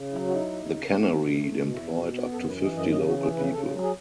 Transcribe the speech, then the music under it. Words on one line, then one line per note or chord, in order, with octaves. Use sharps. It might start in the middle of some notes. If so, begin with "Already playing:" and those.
The cannery employed up to fifty local people.
Already playing: C#3
F#3 E4
F#4
D#4 E4
D#2
C#3
B3
B2
A3
B2
E2 E4
B2
B3
F#2 A4
B4
E3
D#5
F#2
D#5
C#3 D#5
F#4
E3
G#4
C#3 B4
C#3 A4
F#3
G#4